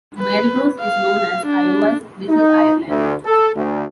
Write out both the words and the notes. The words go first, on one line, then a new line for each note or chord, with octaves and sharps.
Melrose is known as Iowa's "Little Ireland".
B4
F5
D4
D#4
D2
A4
D2